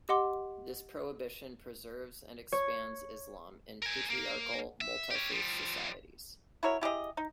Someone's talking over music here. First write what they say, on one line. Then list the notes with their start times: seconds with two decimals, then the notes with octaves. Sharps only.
This prohibition preserves and expands Islam in patriarchal, multi-faith societies.
0.09 G4 D#5 F#5 C6 D6
2.52 C#5
3.82 A#4 G#5
4.11 A#3
4.81 E5
5.11 G4 C#5
5.31 F3 G3
6.63 E4 F#4 A#4 C#5
6.81 E4 G4 G#4 D#5
7.17 D#4